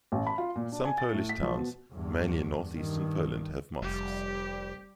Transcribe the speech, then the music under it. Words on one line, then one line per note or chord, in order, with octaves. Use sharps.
Some Polish towns, mainly in northeastern Poland have mosques.
A1
B5
F4
A#2
D4
G#5
A6
A2
B6
F3
B2
E2 G2
G2 D#3
F1 G3 G4